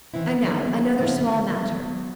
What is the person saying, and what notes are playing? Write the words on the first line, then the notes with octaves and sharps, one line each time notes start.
And now, another small matter.
D#3 E3 B3 C4 E4
F#3 G#3 B3 C#4 D#4 E4
D3 F3 C4 E4 F4
B2 D#3
F#3 B3